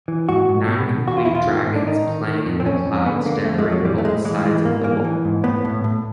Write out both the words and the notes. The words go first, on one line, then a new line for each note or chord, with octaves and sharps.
Nine complete dragons playing in the clouds decorate both sides of the wall.
E3
G#2 F#4
G#2
B2
B2
E2 F#4
F4
B2 E4
F4
D#3
G#2
D4
D#3 D#4
D#3
D#3
F2
C4
F2 C#4
F2
D3 B3
D3 A#3
F2 A3
G#3
F2
F#3
E3 G3
A3
A2 G#3
E3 G#3
E3 G#3
G#2 A#3
E3 A#3
E3
G#2
A2 B3
A2
A2